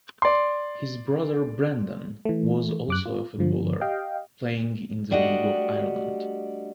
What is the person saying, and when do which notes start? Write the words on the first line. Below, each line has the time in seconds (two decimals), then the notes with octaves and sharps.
His brother Brendan was also a footballer, playing in the League of Ireland.
0.22 D5 C6
2.25 E3 A3
2.88 F#2 D6 F#6
3.05 F4
3.38 G2 D3 F3
3.81 G4 D#5 F5 G5
5.11 G3 A3 D4 F#4 G4 D#5